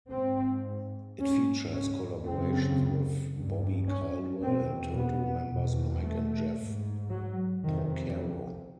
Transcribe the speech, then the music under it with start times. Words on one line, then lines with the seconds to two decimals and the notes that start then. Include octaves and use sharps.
It features collaborations with Bobby Caldwell and Toto members Mike and Jeff Porcaro.
0.11 G#2 C4
1.18 G#2 C#4
1.72 C#4
2.26 F#2 C#3 C4
3.34 G2
3.87 C#4
4.41 E2 B2 C4
4.96 B3
5.48 E2 B2
6.03 A3
6.57 G#2
7.10 F#3
7.63 F2 C3 D#3